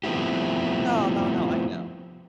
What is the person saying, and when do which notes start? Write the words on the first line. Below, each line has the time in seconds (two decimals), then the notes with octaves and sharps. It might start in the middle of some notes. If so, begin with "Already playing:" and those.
No, no, no, I know.
0.04 F3 A3 B3 C4 E4 G4